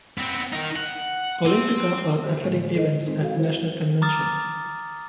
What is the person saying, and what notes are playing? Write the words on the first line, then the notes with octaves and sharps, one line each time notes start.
Olympika are athletic events at National Convention.
B3 C4
D#4 A#4
F#5
C4
D3 G4 C5
A2 D3 E3 F3 G#3 A3
A4 C5 D#5
G#3 C4 D#4
F#4 A4 F5
E4 C5
A#5 D6 D#6 F6 A6